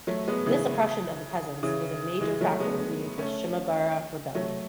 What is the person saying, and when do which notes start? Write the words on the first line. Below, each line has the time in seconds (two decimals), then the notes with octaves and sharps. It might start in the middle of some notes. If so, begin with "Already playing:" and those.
This oppression of the peasants was a major factor leading to the Shimabara Rebellion.
0.07 F#3 A3
0.27 G#3 B3
0.46 C#3 E3
1.63 C#3 E3
2.21 E3 G#3
2.41 F#3 A3
2.51 A3
2.60 G#3 B3
3.18 A3 C#4
4.35 F#3 A3